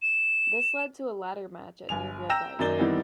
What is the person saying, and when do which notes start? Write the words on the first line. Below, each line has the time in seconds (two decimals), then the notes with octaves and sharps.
This led to a ladder match at New Blood Rising.
0.02 E7
1.89 G1 G#5 F7
2.29 G5 A#5 E6 G6 A#6 E7
2.59 F#2 D#3 A#3 D5 A6 G7
2.78 D#3 E3 G3 B3 C4 E4